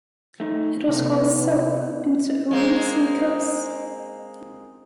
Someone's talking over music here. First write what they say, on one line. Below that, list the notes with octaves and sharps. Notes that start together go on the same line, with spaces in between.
It was called “Soap” due to owning the sneakers.
A3 D#4
C3 B3 D#4 A4
G#3 A#3 C4